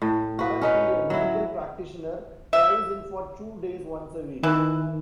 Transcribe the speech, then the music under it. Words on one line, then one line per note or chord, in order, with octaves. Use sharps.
Currently a medical practitioner flies in for two days once a week.
A2
F#4 B4
C#4 D#4 B4
F#3 E4
E5
D#3 E3